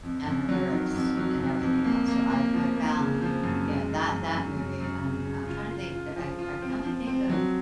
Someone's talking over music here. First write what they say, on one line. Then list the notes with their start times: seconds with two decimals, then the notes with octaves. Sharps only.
and the lyrics and everything else. So I I found, you know, that that movie, and I'm trying to think. The I I can only think of
0.03 F2
0.25 F2
0.49 F#3
0.71 D#3
0.94 F2
1.17 F#3
1.40 F2
1.61 F2
1.84 A#3
2.08 A#3
2.30 A#3
2.53 F3
2.76 A#3
2.98 C#3
3.21 F3
3.44 F#2
3.66 G#3
3.89 F#2
4.12 F#2
4.35 F#2
4.56 F#2
4.80 F#2
5.02 C#3
5.25 C#3
5.47 F4
5.70 F4
5.93 F4
6.16 F3
6.39 F4
6.62 C4
6.84 F3
7.07 C4
7.30 F#3